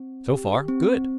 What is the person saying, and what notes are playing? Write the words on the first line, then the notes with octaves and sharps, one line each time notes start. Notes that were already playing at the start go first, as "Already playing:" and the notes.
So far, good!
Already playing: C4
G4
C4